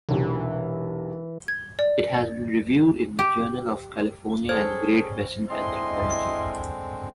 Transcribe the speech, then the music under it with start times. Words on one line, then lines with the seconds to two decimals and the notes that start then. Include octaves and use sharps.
It has been reviewed in the Journal of California and Great Basin Anthropology.
0.09 E1 B1 C3 E3
1.48 G#6
1.79 D5
3.19 G4
4.49 G3 C#4 G#4 A4 C5 G#6
5.50 D3 G#3 C4 E4 D#5 C6